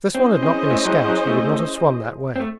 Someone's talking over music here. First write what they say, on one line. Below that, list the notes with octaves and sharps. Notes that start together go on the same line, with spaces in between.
If this one had not been a scout he would not have swum that way.
C4 C#4 E4 G#4 C5 D#5
C4
A3
F#3
G#3
F#3
A3
C4
A3